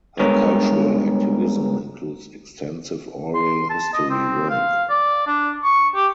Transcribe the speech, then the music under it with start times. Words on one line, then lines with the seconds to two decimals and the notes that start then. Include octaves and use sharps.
Her cultural activism includes extensive oral history work.
0.19 G2 G#3 B3 A#4 C#5
3.34 C6
3.70 A5
3.93 D#5
4.10 C4
4.49 F5
4.90 D5
5.27 D4
5.63 C#6
5.95 G4